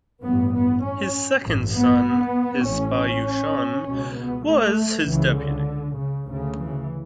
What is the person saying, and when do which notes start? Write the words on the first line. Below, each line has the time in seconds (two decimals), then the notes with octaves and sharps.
His second son, Hsinbyushin was his deputy.
0.22 A1 G2 B3
0.53 B3
0.82 C#4
1.43 A1 G2
1.73 B3
2.64 A1 A2 C#4
2.95 C#4
3.84 C#2 B2
4.15 B3
4.46 A3
5.05 C#2 C#3 E3
5.36 D3
5.97 C#3
6.27 D2 C#3
6.57 E3